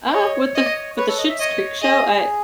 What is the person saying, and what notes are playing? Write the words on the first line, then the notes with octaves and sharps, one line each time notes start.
Uh, with the f with the Schitt's Creek show, I
C#5 D#5
C#5
D#5
B4 C#5
A4
D#5
E5
C#5 D#5
G#4 D#5